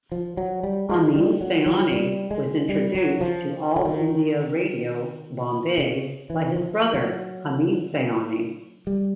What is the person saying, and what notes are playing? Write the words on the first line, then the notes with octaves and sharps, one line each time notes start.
Ameen Sayani was introduced to All India Radio, Bombay, by his brother Hamid Sayani.
F3
F#3
G3
G#3
G3
F#3
F#3
G3
G#3
G3
F#3
F3
D3
D#3
C#3
E3
F3
F#3
G3